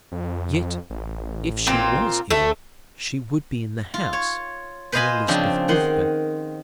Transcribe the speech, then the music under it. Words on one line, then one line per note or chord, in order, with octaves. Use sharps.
Yet, if she was ill, she would be in the house, and Elizabeth with her.
F2
A1
A#2 C4 F4
D2 A3 A4
F4
C#5
B4 C5 D#5 F5 G#5 B5
C#3 F3 C4 D4
D#3 F#5 C6